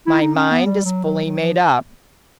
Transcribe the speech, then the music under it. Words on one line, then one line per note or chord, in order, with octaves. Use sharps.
"My mind is fully made up."
E4
D#4
C#4
B3
G3
F#3
F#3
F#3
F3